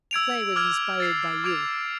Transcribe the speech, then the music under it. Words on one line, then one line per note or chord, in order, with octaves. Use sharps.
The play was inspired by you.
E6 G#6 D7 F7
D6 F6 G#6
A6 C7 F7
D6 G#6 D7 F7